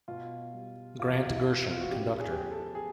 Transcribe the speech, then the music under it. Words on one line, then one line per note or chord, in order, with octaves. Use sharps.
Grant Gershon, conductor.
B2 F4
G3
E2 F4
E4
E2
F4
F4
F#4
C#3 G4
G#4
G4
F3 G#4
A4
G#4